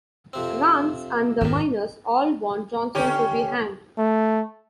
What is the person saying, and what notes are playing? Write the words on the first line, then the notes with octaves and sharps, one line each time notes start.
Rance and the miners all want Johnson to be hanged.
F2 C3 C4
G#1 F2 G#2 D#3
D3 C#4 G4
A3